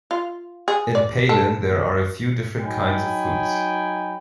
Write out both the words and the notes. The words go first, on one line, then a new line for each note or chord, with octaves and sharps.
In Pailin, there are a few different kinds of foods.
F4
G#4
D5
A4
F#3 D#4 G5 G#5 B5